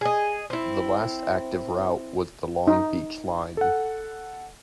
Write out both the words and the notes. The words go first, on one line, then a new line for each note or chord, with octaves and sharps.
The last active route was the Long Beach line.
G#4 D#5
C4 E4
D#4
A4 F#5